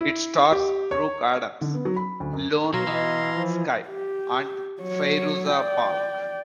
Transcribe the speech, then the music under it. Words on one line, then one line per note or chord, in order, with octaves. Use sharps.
It stars Brooke Adams, Ione Skye, and Fairuza Balk.
E4
G4
C#5
D3
B3
F#3
B5
D2
F#2
B2 F#3 F5 A#5 C6
E3 D#5
F3
G4
F#3 C#5
D5 G5